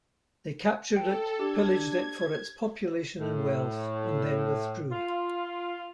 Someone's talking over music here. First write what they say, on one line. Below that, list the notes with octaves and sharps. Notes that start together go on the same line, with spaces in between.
They captured it, pillaged it for its population and wealth, and then withdrew.
A4 G5
D4 G4 G#6
A2
F4